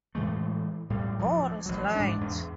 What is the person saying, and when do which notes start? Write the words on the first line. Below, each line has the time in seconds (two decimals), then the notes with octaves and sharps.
God is Light.
0.15 A2 E3 G#3 A3
0.90 A2 G3
1.19 D2 F3
1.66 A1 F#3
1.95 G#2 G#3 D4
2.21 E2